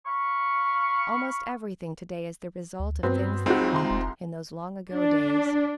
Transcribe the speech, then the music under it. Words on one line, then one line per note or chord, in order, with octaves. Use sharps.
Almost everything to-day is the result of things that happened in those long-ago days.
F5 B5 C#6
D2
G2 F#3 B3 C4
C#2 C4 D#4 F4 F#4
C2 D#3 A#5 C6
F1
D4